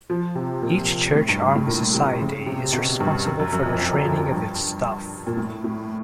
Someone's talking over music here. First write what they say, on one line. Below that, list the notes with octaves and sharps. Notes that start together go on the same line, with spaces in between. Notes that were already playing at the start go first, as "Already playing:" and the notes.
Each Church Army Society is responsible for the training of its staff.
F3
C3
A#2
A2
G2
G2
A2
A#2
C3
C#3
C3
B2
G2
F#2
F#2
F#2
F2
F2
F#2
F2
F#2
G2
A#2
A2
A2